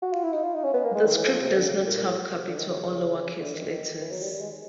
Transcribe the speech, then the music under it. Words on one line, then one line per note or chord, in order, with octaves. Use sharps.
The script does not have capital or lowercase letters.
F#4
F4
E4
D#4
F4
D#4
C#4
B3
A#3
G#3
D#3
E3
F3
C3
D3
C#3
A#2
A#2
A2
C3
D3
D#3
C#3
D3
D#3
D#3
E3
F#3
G3
G3
G#3